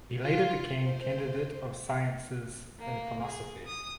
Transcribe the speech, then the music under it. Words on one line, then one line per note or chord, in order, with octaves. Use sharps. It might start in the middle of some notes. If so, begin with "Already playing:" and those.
He later became Candidate of Sciences in philosophy.
F4
C5
A#3
G#4
D#6